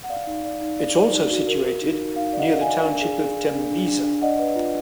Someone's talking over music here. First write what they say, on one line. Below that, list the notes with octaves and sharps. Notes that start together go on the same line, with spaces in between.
It’s also situated near the township of Tembisa.
F#5
D5 F5
D#4
D5
D#4
D5
D5
D#4
F#4
A#4
A#4
D#4
D#4
D#4 F5
D5
D#5 F#5
A#4
F#5
F5 G#5
D5
D4
G#4
G#4
G#4
D4
D4
D4
D4
D5 D#5 F#5
B4
F4